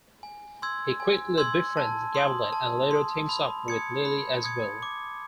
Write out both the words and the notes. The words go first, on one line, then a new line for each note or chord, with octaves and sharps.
He quickly befriends Gavlet and later teams up with Lily as well.
G#5
C6 E6 G#6
G#5
C6 E6 G#6
A5
C6 D#6
A5
C6 D#6
B5
D#6 G#6 C#7
B5
D#6 G#6 C#7
D6